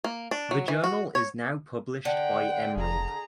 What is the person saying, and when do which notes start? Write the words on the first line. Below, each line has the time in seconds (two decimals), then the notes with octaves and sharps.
The journal is now published by Emerald.
0.04 A#3
0.31 D4
0.51 F#3
0.68 E3
0.84 F#4
1.15 C#5
2.05 D3 F#5 G5
2.76 F1 G#4 A#5